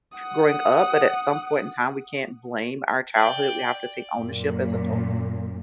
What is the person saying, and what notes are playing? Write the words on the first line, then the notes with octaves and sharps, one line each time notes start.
growing up, but at some point in time, we can't blame our childhood. We have to take ownership as adults
F#5 D#6
D5 G5
F#2 A#2